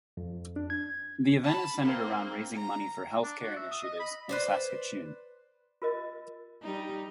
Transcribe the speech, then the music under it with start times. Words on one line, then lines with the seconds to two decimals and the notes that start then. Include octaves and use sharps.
The event is centered around raising money for healthcare initiatives in Saskatchewan.
0.17 F2
0.56 D4
0.70 G#6
1.43 A5 B5
1.82 A#3 C4
2.53 A#5
3.23 D4
3.44 F#4
3.56 E5
3.71 D#6
3.83 D#5
4.00 B5
4.29 B4 C5 D5
5.82 F4 A#4 D#5
6.62 G3 D#4